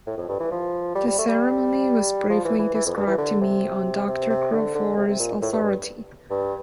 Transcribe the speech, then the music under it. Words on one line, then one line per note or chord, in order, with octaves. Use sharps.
The ceremony was briefly described to me on Dr. Crawford's authority.
A2
F2
G2
E3
F3
G3
G3
A3
G3
F3
E3
E3
E3
F2
G2
E3
D3
C3
C3
C3
D3
D3
C3
C3
A#2
A2
G2
G2
G2